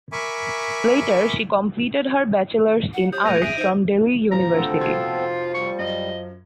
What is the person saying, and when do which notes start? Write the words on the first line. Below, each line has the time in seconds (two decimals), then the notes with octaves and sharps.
Later she completed her Bachelors in Arts from Delhi University.
0.12 A#4 E5 G#5 B5 C#6 D6
2.94 F#5
3.12 G4 C#5 D#6 G6
3.25 A#2 A3 B4 A6 A#6 D#7 F7
3.42 G#4 E5 D#6 F#6 D7 D#7
3.58 D#4 C5 E5 G#6
4.32 F3 A#5
4.53 D2 B3 C4 A4
4.80 F1 F4 F#4 G#6
5.54 G3 C#6
5.79 F#2 D#5